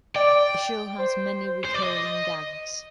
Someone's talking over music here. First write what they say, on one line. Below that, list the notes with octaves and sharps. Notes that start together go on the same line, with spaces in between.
The show has many recurring gags.
D5 G5
C5
C5
D5
D#5